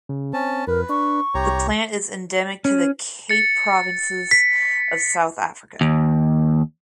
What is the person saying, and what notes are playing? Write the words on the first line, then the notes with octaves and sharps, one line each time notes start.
The plant is endemic to the Cape Provinces of South Africa.
C#3
C4 C#4 A5
F2 A#4 B4
D4 C#6
C2 G4 C#5 A#5
C#4
A6 C#7
B6
D#2